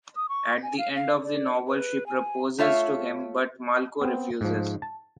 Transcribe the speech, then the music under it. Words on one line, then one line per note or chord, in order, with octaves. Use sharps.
At the end of the novel, she proposes to him, but Malko refuses.
D#6
C#6
G#5
F5
F5
D5
B4
G#5
A3 F4 C#5 E5 F5
B3 C4
G#2 F3
A5